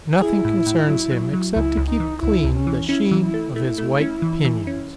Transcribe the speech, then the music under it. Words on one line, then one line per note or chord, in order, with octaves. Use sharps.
Nothing concerns him except to keep clean the sheen of his white pinions.
E4 G#4
A2
A2
F#3
F#3
F#3
C#2 E4
C#2
D#4
E3
C#2 E4
C#2
C#4
E3
C#4 E4
E3
E4
A3
A3 E4
A3
C#4
E3
E3
C#4